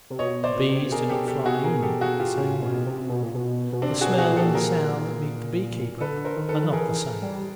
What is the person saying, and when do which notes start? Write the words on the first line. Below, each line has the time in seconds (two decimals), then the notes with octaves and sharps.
The bees do not fly in the same way, the smell and the sound that meet the beekeeper are not the same.
0.10 C3
0.19 B2 C#5 D#5
0.44 C5 D5
0.56 B2
0.69 C3
0.82 B2
0.92 G#4 A#4
1.10 G4 A4
1.28 G4 A4
1.46 F#4 G#4
1.64 G#4 A#4
1.82 G4 A4
2.01 F#4 G#4
2.19 F4 G4
2.37 C#3 C#4
2.61 B2
2.86 C3
3.09 B2
3.22 A#2
3.35 B2
3.72 B2
3.82 C3 C4 D4
4.01 F#4 G#4
4.07 B2
4.18 F#4 G#4
4.31 A#2
4.36 G4 A4
4.55 G#4 A#4
6.00 D3 A4 B4
6.25 A#4 C5
6.37 D#3
6.49 A4 B4
6.63 F3
6.73 E3 G#4 A#4
7.22 G3